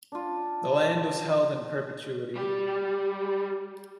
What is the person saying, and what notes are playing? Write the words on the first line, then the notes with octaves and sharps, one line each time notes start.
The land was held in perpetuity.
D4 F4
G3 G4